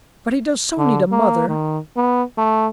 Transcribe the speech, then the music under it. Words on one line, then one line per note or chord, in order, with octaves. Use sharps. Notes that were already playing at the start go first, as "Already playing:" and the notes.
"But he does so need a mother."
D3
A#3
D#3
B3
A3